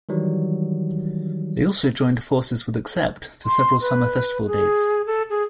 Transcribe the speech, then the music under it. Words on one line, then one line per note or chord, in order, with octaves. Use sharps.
They also joined forces with Accept for several summer festival dates.
D#3 E3 F#3 G3
C6
B4
G#4
A4
G#4